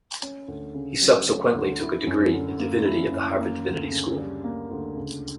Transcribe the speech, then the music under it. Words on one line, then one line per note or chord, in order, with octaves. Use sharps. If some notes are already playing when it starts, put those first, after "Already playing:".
He subsequently took a degree in divinity at the Harvard Divinity School.
C#4
D2
C#3
F#3
C#4
D2
E4
F#2
D3
A#3
E4
F#2
A#3
D2
C#3
G3
A#3
D2
C#2